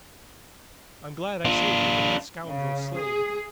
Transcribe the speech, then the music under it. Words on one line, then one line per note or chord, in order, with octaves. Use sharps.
I'm glad I saved you from that scoundrel, Slade.
D4 F4
C#3
G#4